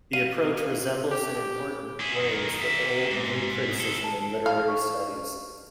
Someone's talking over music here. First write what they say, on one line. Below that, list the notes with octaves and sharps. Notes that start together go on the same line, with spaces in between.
The approach resembles in important ways the old New Criticism in literary studies.
F5 D#7
G4
E4 G#4
F#2 D#3
A#3 E5
G#2
D#3 A4
A5
F5
C#6